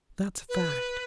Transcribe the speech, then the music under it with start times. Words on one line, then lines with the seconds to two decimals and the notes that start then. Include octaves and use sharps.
That's a fact!
0.49 B4